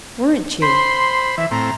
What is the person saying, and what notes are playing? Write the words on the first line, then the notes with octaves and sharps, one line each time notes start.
Weren't you?
C5 B5 C6
E3 E5
A2 C4 A#5